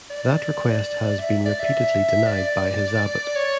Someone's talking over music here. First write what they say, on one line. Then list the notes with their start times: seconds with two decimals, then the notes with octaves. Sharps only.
That request had been repeatedly denied by his abbot.
0.10 D5
1.19 E5
1.45 D5
1.60 E5
2.27 D5
3.36 C#5